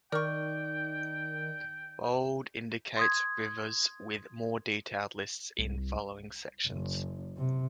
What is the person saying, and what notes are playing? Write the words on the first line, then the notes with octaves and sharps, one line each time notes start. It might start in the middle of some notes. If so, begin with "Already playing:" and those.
Bold indicates rivers with more detailed lists in following sections.
D#3 A#4 D5 G5 C#6
C6 D#6 G#6
C2
F#1
C3